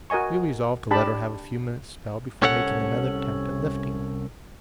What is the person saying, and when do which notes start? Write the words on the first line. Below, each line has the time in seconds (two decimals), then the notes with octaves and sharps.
We resolved to let her have a few minutes' spell before making another attempt at lifting.
0.10 F#4 A#4 D#5 G#5 C#6
0.91 D4 G4 G5 A5 B5
2.42 C2 C#4 A4 C#5 F#5